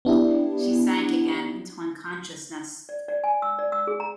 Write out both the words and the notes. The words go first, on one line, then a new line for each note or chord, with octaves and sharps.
She sank again into unconsciousness.
B3 D4 E4 G4
D5
D5
G#5
E6
D5
E6
G#4
A#5